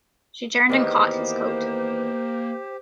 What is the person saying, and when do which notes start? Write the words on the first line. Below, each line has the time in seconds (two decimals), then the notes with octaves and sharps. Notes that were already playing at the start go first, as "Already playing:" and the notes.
She turned and caught his coat.
0.69 E2 D#3 A#3 B3 G4 C5